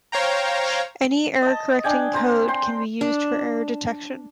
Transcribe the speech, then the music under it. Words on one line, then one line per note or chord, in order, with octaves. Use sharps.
Any error-correcting code can be used for error detection.
C5 C#5 F5 G5 A#5
D#5 A5
D4 G5 G#5
C4 C5 A#5
G5 C6
D4